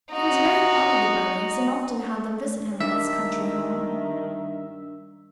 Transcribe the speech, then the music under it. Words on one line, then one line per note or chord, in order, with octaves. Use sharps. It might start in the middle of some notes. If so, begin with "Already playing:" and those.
He was very fond of the Burneys and often had them visit him at his country home.
D#4 F#4
G2 D#3 E5